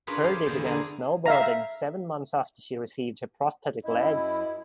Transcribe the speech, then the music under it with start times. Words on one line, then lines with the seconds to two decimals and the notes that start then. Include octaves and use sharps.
Purdy began snowboarding seven months after she received her prosthetic legs.
0.07 C#4 D4 F4 G#4 A#4 B4
0.24 F4 G#4 A4 C5 D5 F5
0.46 E2 D3 E4 C5 D5
0.64 D3 A#3 D4 G#4 A#4 D5
1.26 E5 F5 A#5
3.85 F#2 E4 D#5